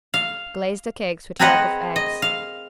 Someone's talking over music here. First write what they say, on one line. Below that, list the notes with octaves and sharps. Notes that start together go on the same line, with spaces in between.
Glaze the cakes with yolk of eggs.
F5
C4 G#4 A#4 B4 D#5 F#5
D#5
F5